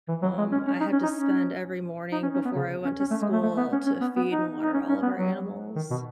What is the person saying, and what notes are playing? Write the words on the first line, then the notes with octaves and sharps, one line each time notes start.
Um, I had to spend every morning before I went to school to feed and water all of our animals.
E3
F#3
G#3
C#4
C#4
D#4
C#4
D#4
C#4
D#4
C#4
C#4
B3
C#3
C#4
C#4
A3
G#3
A3
A3
B3
C#4
C#4
B3
B3
D#4
D#4
C#4
C#4
B3
F#3
D#3
B2